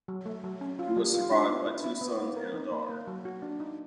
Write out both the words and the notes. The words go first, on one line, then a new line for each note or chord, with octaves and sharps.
He was survived by two sons and a daughter.
F#3
A3
F#3
C#4
F4
G3
F4
D4
B3
E4
E4
B3
A#3
A#4
D#4
A#3
A#3
F#3
F#4
D4
D#4